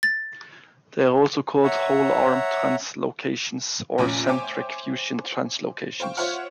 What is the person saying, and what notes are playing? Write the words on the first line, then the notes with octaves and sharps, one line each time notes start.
They are also called whole-arm translocations or centric-fusion translocations.
A6
C#5 E5 F#5 A#5
F1 A#1 A#2 C#4 G#5 D6
C5 C#5 E5 G5 G#5 D6
C5 F5 G5 C#6
F4 C5 C#5 E5 F#5 F6